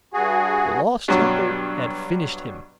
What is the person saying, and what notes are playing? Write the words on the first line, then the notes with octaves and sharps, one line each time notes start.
The lost temper had finished him.
G2 F#4 G#4
G2 B2 F#3